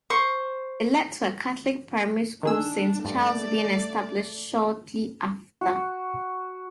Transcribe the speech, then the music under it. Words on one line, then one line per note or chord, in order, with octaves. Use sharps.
It led to a Catholic primary school Saint Charles being established shortly after.
C5 C#6
D#3 D4 G#4 E6
G2 A3 D5
F#4